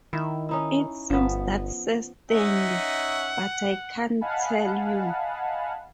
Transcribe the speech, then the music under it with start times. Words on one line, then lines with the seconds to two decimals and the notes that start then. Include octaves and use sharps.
It seems that Sir Stanley - but I can't tell you!
0.13 D#3 E4
0.49 C#4 D#4 E4
1.10 G1 F3 B3
2.31 C#4 D#4 E5 F#5
4.21 D#5 F5 F#5 G#5 A5 B5